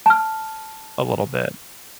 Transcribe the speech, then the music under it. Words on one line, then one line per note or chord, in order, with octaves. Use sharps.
a little bit,
A5 F6